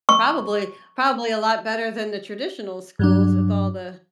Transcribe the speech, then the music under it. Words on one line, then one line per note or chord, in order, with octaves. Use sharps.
probably probably a lot better than the traditional schools with all the
C#6
G2 F#3 D4